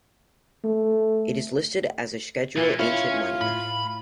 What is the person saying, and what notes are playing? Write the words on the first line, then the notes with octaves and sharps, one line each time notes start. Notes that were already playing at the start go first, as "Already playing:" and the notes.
It is listed as a Scheduled Ancient Monument.
A3
A#2 E3
C#4 E4 F4 F5
A2 B5